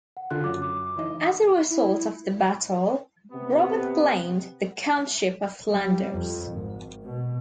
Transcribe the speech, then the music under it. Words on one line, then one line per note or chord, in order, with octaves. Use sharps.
As a result of the battle Robert claimed the countship of Flanders.
F#5
D3 F4 F#6
F#2 D6
D6
E3 D#4 D#5
E4
C3 B3
G3
F2
G#1
B2